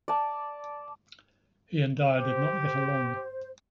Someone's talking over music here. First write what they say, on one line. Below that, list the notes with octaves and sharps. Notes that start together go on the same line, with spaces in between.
He and Dyer did not get along.
D5 A5
G4 C5